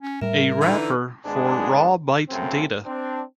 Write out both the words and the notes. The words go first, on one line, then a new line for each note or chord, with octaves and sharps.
A wrapper for raw byte data.
C#4
A2 G3 A#4 E5
D3 E3 D#4
G#1 G#2 G#3 B3 D4 G#4
F#2 C#3 A3 C4
C4 D4